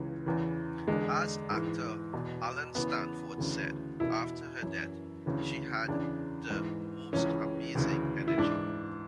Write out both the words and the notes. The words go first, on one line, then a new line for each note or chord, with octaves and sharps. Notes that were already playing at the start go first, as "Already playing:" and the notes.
As actor Alan Stanford said after her death, She had the most amazing energy.
Already playing: C#2 C#3 E3
E2 C#3 E3
E2 D3 G#3
G#2 E3
E2 B2
E2 C#3 E3 B3
D2 C#3 E3
E2 B2 E4
F#2 E3
D2 C#3 E3
E2 C#3 E3 D4
G#2 E3
C#2 C#3 E3 C#4
D2 C#3 E3
E4
G#2 E3 D4